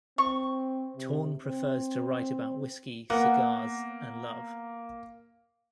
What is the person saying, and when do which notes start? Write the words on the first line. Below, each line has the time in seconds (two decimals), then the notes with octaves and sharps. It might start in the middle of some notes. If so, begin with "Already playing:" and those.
Torn prefers to write about whisky, cigars and love.
0.18 C4 C#6
0.97 C3
1.44 C4
3.10 A#3 B3 F#5